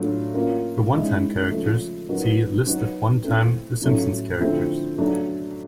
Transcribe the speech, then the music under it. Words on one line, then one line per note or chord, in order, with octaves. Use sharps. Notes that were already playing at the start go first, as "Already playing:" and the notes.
For one-time characters, see "List of one-time The Simpsons characters".
Already playing: A2 F#3 A3 D4 F4
A#3 C#4 F4
D#3 G#3 C#4 E4
C#3 F3 A3
F#3 B3 D#4 F#4 A#4
F#3 B3 D#4 F#4 B4
A3 C4 E4
A2 F#3 A3 C#4
D3 F3 A3 C4 E4
F#3 A3 D4